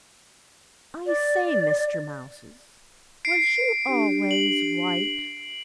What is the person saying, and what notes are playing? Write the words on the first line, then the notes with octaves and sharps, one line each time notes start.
"I say, Mr. Mouses, was you always white?"
D5
C7 D7
D4 G4
F#7